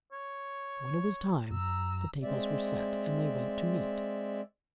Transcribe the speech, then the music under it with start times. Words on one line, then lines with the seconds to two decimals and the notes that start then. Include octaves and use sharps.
When it was time the tables were set, and they went to meat.
0.12 C#5
1.51 F#2 A#5 E6
2.23 G#3 C4 D5 E5